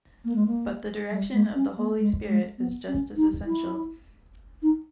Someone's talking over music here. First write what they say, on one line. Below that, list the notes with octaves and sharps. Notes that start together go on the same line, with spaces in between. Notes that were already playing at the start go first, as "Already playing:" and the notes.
But the direction of the Holy Spirit is just as essential...
A#3
G#3
A#3
G3
G#3
C#4
A#3
G#3
G#3
B3
C#4
D#4
E4
D#4